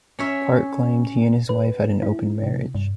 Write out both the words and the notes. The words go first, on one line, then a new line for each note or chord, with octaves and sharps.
Park claimed he and his wife had an open marriage.
C#4 C#5 E5
B4
E4
C3
G2